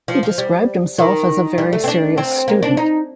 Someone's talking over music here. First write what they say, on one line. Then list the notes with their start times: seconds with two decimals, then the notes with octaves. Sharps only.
He described himself as a very serious student.
0.08 F3
0.23 F3
0.38 G3
0.98 D#3
1.58 G3
1.73 A3
1.84 C4
1.88 D4
2.17 C4
2.48 A#3
2.63 D4
2.77 D#4